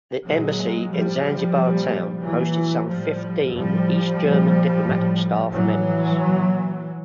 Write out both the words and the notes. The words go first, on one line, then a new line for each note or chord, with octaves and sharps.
The embassy in Zanzibar Town hosted some fifteen East German diplomatic staff members.
A#2 F#3 G#3
A2 F3 G3
A#2
A#2 E3 F#3
A2 F3 G3
A2 F3 G3
A#2
A2
A2 E3 F#3
A#2